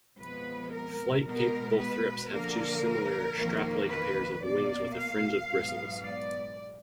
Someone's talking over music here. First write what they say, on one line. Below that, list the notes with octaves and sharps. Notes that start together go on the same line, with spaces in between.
Flight-capable thrips have two similar, strap-like pairs of wings with a fringe of bristles.
F2 F3 G#3 B3 B4
A#4
B2 G#3 B3 A#4
B4
D3 F3 A#3 A#4
F2 D#3 A#3
B4
B2 A#3 D5
F5
G#2 F#3 B3
D5